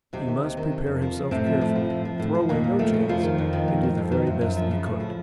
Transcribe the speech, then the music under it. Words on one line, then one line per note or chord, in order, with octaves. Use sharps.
He must prepare himself carefully, throw away no chance, and do the very best that he could.
D#2 C3 C4
D#3
D#2
D#3
F2
F2
F3
C#3
A2 C3 C4
F3
A2
F3
A2
F3
A2
F3
D#2 A#2 A#3
D#2
F3 A3
C#3
F2 F3 F4
D#3
F2
D#3
F2
D#3
F2
D#3
F#2
F#2
F3
C#3
A2
F3